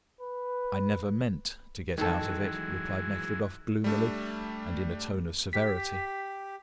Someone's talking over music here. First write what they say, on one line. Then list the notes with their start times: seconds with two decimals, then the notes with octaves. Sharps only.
"I never meant to get out of it," replied Nekhludoff, gloomily, and in a tone of severity.
0.21 B4
1.98 D#3 E3 F#3 G#3 A4
3.84 G3 A3 D4
5.53 G4 B6